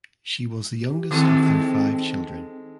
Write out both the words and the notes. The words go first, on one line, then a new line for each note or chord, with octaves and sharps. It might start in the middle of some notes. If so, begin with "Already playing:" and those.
She was the youngest of their five children.
G4
D#3 G#3 C4 A4